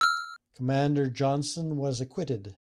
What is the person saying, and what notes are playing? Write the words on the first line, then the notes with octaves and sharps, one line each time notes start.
Commander Johnson was acquitted.
E6 F6